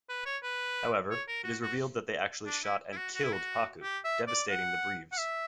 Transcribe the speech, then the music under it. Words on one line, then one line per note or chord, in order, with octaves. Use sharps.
However, it is revealed that they actually shot and killed Pacu, devastating the Breves.
B4
C#5
B4
C#5
A#4
F#4
F#4
D4
E4
E4
F#4
F#4
E4
F#4
G4
E5
D5
F#5
F#5
E5